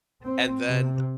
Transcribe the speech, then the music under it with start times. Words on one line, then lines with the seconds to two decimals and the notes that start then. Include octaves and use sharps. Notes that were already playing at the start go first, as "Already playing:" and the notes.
And then,
0.25 C4
0.67 C3